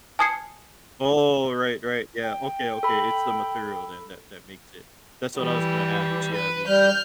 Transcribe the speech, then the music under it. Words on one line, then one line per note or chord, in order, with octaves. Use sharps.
Oh, right, right yeah, okay, okay, it's the material, then, that that makes it that's what I was gonna ask see how big was
G#5 A5 D#6 G#6 C7 C#7
G5
A4 B5
E3 G3
B4
G3 F6 G6